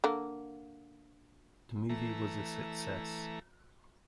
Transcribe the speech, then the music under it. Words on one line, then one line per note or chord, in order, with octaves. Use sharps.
The movie was a success.
D3 A#3
E3 A3 A#5